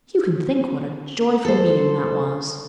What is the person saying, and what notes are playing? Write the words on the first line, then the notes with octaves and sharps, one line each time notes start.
You can think what a joyful meeting that was!
A4 C5